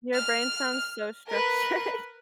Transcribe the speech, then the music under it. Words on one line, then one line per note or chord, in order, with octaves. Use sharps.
Your brain sounds so structured. I
F6
A#4 B4